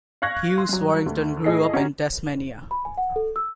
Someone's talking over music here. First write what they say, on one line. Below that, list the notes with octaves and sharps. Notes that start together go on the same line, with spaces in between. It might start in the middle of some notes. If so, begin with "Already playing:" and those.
Hughes-Warrington grew up in Tasmania.
F5 C#6 F#6 G#6 A#6
C6
G2 F#3
D2
A2 E4 G#4 D#5 A5 C7
C#4 F#4 G4 A#5
B5
G#5
F#5
A4
E6